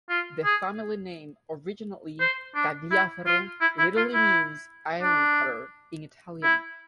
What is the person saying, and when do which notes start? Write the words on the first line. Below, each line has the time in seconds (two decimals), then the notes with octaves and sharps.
The family name, originally "Tagliaferro", literally means "Ironcutter" in Italian.
0.09 F4
0.45 G#4
2.20 C5
2.55 D4
2.91 E4
3.26 F4
3.61 E4
3.79 E4
3.97 F4
4.14 E4
5.02 D4
6.43 E4